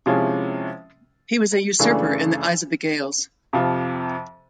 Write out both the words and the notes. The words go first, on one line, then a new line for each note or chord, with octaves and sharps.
He was a usurper in the eyes of the Gaels.
C3 F3 G#3 C#4 E4
F#2 C#3 E3 A3 D4
F2 C3 F3